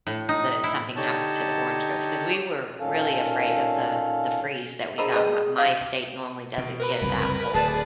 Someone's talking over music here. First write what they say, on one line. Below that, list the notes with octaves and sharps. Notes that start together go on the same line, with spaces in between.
that something happens to the orange groves. 'Cause we were really afraid of the the freeze that we got. M my state normally doesn't get that cold.
A2
D#4
E4
D3 D#4 G4 C#5 A5
A#2 D#3 C#4 A4 F5
D3 G#4 A#4 C5 D#5 A#5 B5
B2 G3 D#5 A5
D3 F3 F5 D6
B2
A#4 B4 B5
F#1 C2 F2
D1 G#4 B4 D5 A5